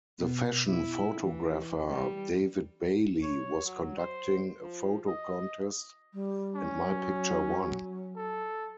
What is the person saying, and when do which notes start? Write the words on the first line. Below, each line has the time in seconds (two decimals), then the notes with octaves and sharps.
The fashion photographer, David Bailey, was conducting a photo contest and my picture won.
0.19 B2
0.65 E4
1.21 E3
1.90 G3
3.23 C#5
3.66 F#3
3.98 C5
4.59 F3
5.07 D#5
6.14 G3
6.55 C#4
6.88 F#3
8.16 A4